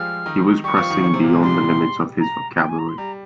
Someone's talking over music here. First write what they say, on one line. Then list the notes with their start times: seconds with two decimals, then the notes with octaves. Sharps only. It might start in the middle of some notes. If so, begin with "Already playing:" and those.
He was pressing beyond the limits of his vocabulary.
Already playing: F3 G3 G#3 F4 G4 G#4 F6
0.26 D#3 D#4
0.64 G3 G4 C#6
0.78 F3 F4
0.90 D#3 D#4
1.04 C#3 C#4
1.13 C3 C4
1.23 A#2 A#3
1.33 G#2 G#3
1.43 G3 C6
2.20 A#5
2.60 G5
2.69 G#5
2.79 A#5
2.89 C6
2.98 G3 A#5